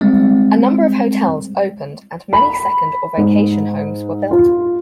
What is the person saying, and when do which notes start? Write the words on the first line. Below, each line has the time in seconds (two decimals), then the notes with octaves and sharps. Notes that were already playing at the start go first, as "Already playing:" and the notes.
A number of hotels opened and many second or vacation homes were built.
0.01 G3 G#3 C4
2.33 B5
3.18 G#2
4.31 F4